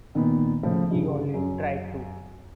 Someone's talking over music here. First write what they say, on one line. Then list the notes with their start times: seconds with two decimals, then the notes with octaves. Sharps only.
He only tried to.
0.15 A#2 D#3 B3
0.63 A2 C#3 F3
0.91 G2 C#3
1.34 F#2